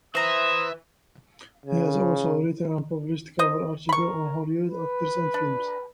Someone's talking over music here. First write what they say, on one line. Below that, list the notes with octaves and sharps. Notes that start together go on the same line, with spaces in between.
He has also written and published cover articles on Hollywood actors and films.
E3 C5 E5 A#5 D#6
C#3
C5 D#5
A#4 B5 C#6
B4
D4